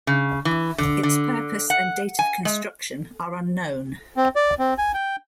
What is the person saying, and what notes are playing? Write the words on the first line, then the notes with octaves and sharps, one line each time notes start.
Its purpose and date of construction are unknown.
C#3
E3
D3
D3
F#5
G#5
G#3
C4
D5
C4
G#5
G5